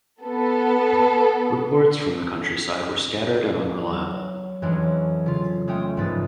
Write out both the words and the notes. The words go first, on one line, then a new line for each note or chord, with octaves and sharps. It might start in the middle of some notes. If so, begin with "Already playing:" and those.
Reports from the countryside were scattered and unreliable.
B3 A4
F#3
F2 E3 F#3 G#3 C#4 D4
C#3 F4
G#3 A3 C#4 G5 D#6
A#1 G#2 F3 B4 A6